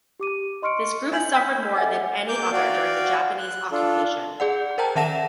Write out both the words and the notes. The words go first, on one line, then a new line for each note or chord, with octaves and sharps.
This group has suffered more than any other during the Japanese occupation.
G4 D6 D#7
D#5 C6 C#6 F6 C#7 D7
G#5 G6 F#7
G5 B5 E6 F6 G6 B6
A4 D#5 E5 F#5 G#5
A#3 D6 G6
F#4 D5 F5 G5
F#6
D4 F4 A4
G#4 D5 F#5
A#4 C5 G5 A5 A#5
D#3 E5 F#5 A5 A#6 E7